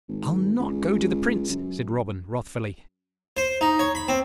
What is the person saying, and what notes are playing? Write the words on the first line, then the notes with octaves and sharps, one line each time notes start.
"I'll not go to the Prince," said Robin, wrathfully.
G#1
C#2
F#2
C5
D#4
C#5
B5
C4